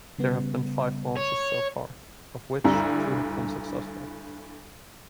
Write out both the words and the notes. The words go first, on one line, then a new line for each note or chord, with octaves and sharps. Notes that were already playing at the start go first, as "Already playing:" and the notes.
There have been five launches so far, of which two have been successful.
C#3 G3 B3
C#5
D2 G2 G3 E4 A#5